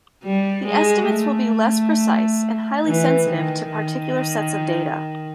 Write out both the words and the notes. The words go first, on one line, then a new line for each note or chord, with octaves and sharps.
The estimates will be less precise and highly sensitive to particular sets of data.
G3
G#3
A3
E3
D#3
D#3